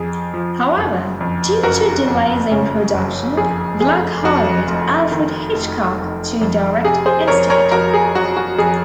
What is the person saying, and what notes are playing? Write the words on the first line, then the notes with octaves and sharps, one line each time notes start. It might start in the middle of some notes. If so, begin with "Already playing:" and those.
However, due to delays in production, Black hired Alfred Hitchcock to direct instead.
Already playing: F2 G#4
F3
F#1
F2
F#1 F#4 A#4
F2
C#3
F#1
F2 G#4
F1 G#4
F2 F#4
F1
D#3
F1
F1
F2
C3 G#4
G#4 C5
F2 A#4 C#5
A#4 C#5
F2 F#4 A#4
G#4
F#3 F#4
F#4
F2 G#4